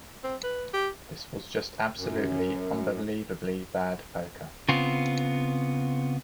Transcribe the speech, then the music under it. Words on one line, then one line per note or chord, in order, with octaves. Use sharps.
This was just absolutely, unbelievably bad poker.
C4
B4
G4
F#2
C#3 B3 C4 F4